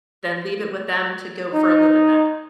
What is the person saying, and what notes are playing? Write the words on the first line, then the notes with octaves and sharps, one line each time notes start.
then leave it with them to go further than that.
D#4